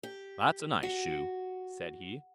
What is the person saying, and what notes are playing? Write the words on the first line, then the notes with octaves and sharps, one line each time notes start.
'That's a nice shoe', said he.
G4
F#4